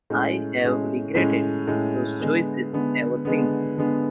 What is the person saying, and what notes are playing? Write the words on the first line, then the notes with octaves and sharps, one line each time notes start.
I have regretted those choices ever since.
A2 G#3 C#4
A2 G#3 C#4
A2 G#3 C#4
A2 G#3 C#4
D3 G#3 B3
D3 G#3 B3
D3 G#3 B3
D3 G#3 B3